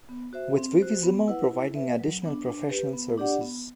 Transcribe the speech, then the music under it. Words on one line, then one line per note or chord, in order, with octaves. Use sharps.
With Vivisimo providing additional professional services.
B3
F#4 C5 E5
C4
F#4 C5
B3
E4 B4 F#5
E4
B4 E5
F#3
B3 D4
D4
G4 B4
B3
D4 G4 D5 F#5
B3